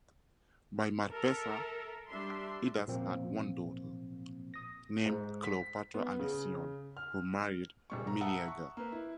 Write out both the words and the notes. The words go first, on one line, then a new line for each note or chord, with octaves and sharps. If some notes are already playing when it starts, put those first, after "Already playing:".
By Marpessa, Idas had one daughter named Cleopatra Alcyone who married Meleager.
A4 A#4 E5
G3 D4 E5 C6
A#2 F3 A#3 C4
D#6 A#6
G#2
B6
B3
C#3
F6
E1 G3 C#6
A#5
E5 F#5 A5 A#5 D#6 E6
C#6
A#3 B4
E4